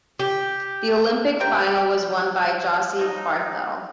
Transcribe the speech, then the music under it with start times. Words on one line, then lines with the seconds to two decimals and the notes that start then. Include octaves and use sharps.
The Olympic final was won by Josy Barthel.
0.20 G4
1.40 C3 G4 A#4 G5
2.99 F#3 D#4